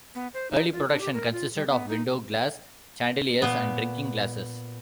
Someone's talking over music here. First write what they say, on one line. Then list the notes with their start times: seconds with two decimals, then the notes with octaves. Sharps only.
Early production consisted of window glass, chandeliers and drinking glasses.
0.15 B3
0.34 C5
0.51 D#4
0.72 F4
0.89 D4
1.01 G4
1.14 A#4
1.32 F4
1.55 G3
1.69 B3
1.89 D#4
3.42 A#2 B3